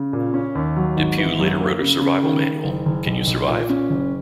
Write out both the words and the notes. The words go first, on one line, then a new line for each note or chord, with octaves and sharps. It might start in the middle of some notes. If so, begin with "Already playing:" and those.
DePugh later wrote a survival manual, Can You Survive?
Already playing: C#3
A#2
C#4
D#2
F#3
G#1
E3
F#2
A#3
C#3
C#3
D#3
D#3
F#1
F#1
B1
B1
A#2
C#4
F#1